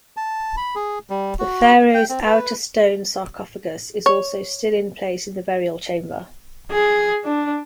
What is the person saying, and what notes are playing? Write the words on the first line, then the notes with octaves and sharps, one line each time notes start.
The pharaoh's outer stone sarcophagus is also still in place in the burial chamber.
A5
B5
G#4
G3
F#4
G5
C4
B4
C#5
G#4
D4